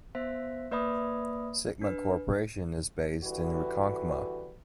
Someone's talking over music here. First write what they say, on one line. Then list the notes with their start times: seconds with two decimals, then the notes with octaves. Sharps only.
Sigma Corporation is based in Ronkonkoma.
0.15 B3 C5 E5 B6
0.71 A#3 B4 D5 E5 B5 D#6
1.82 D4 B4
3.23 D3 E3 G3 F#4 B4